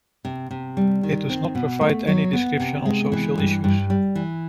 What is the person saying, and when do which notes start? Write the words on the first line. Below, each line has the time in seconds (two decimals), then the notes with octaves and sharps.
It does not provide any prescription on social issues.
0.25 C3
0.51 C3
0.77 G3
1.03 D#3
1.29 C4
1.55 B2
1.81 A3
2.07 F#3
2.33 B3
2.60 C3
2.86 G#3
3.12 E3
3.38 G2
3.64 G2
3.90 G3
4.15 E3